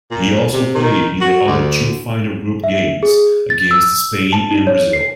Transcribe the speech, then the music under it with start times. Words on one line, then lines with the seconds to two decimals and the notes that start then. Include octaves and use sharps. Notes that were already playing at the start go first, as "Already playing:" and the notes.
He also played in the other two final group games against Spain and Brazil.
0.11 A#2
0.53 C3
0.75 D#3
1.21 F#4
1.47 D2
2.64 E5
3.03 G#4
3.50 A6
3.71 E6
4.33 A5
4.51 D#4
4.67 C#5
4.93 C7